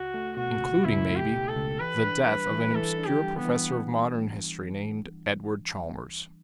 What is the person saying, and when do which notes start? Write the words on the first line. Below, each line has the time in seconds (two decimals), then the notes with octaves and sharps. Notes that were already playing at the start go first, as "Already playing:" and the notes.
Including, maybe, the death of an obscure professor of Modern History named Edward Chalmers.
Already playing: C#2 F#4
0.14 A3
0.37 B2 F#4
0.61 C#2
0.85 C#2 E4
1.09 A3
1.16 G4
1.33 B2
1.48 A4
1.56 C#2
1.80 E3 B4
2.04 D4
2.27 G3 B4
2.51 E3
2.75 E3 A4
2.98 D4
3.06 G4
3.23 G3
3.38 B3
3.46 E3